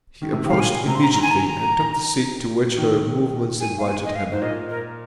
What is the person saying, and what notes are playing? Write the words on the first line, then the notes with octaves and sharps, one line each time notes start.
He approached immediately, and took the seat to which her movements invited him.
D#3
C3
D#3
C3 F5
A#2 G#5
C3 A#5
C6
A#5
D#3 A#5
G#5
A#5
D#3
G#5
F5
G#5
D#5
F5
G#2 C5
A#2 D#5
A#4